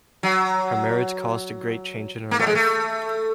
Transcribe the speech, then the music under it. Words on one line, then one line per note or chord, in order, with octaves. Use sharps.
Her marriage caused a great change in her life.
F#3
A#3
A3
G#3
A3